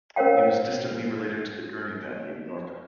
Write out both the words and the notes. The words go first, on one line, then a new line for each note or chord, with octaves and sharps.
He was distantly related to the Gurney family of Norfolk.
C#4 A#4 C5 C#5 F5 G5